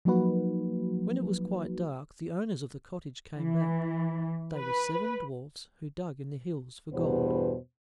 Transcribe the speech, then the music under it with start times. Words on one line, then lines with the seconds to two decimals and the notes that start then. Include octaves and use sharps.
When it was quite dark the owners of the cottage came back; they were seven dwarfs who dug in the hills for gold.
0.05 F3 F#3 A#3 D#4 F#4 B4
3.37 E3
4.56 B4
6.93 E2 G2 B2 B3 B4 C5